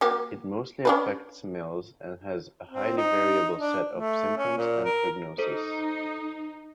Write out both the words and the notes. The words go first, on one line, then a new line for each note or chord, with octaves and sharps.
It mostly affects males and has a highly variable set of symptoms and prognoses.
A#3 F#4 G4
C#4 D4 B4
C4
D#4
D4
A3
C#4
A#2
A#4
D#4 A4 C5